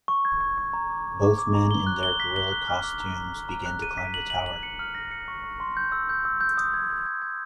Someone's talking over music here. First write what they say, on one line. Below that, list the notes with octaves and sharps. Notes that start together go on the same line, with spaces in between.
Both men, in their gorilla costumes, begin to climb the tower.
C#6
G#6
C#6
C#6
A#5
D6
A#5
D6
D6
A#5
G7
F#6
G7
B6
G7
F#6
F6
D6
A#5
A#5
F6
A#5
F#6
D#7
B6
F#7
F#7
F#7
C#7
F6
A#6
C#7
C#6
C#6
C6
G6
E6
G6
E6
G6
D#6
G#6
D#6
G#6
G#6